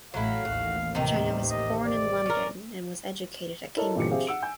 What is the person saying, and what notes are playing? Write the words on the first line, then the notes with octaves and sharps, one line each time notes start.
China was born in London and was educated at Cambridge.
A1 A2 F#3 A3 E4 F5
A1 D#2 F#4
C3 D#3
D#5
D5
C#4 A#4
E4 A4 A#4 C#5 D#5 A5
G1 A#2 E3 G4 A4 C#7
C4 G4 G#4 E5 F5
F#5 E6 D7
G#5 G6